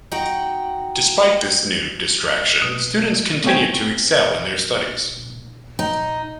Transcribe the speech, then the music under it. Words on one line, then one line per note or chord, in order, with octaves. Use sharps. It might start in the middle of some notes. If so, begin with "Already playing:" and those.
Despite this new "distraction," students continued to excel in their studies.
D#4 F#4 F#5 G5
B2
A3 B3 C4 C#5 G5 G#5
D#4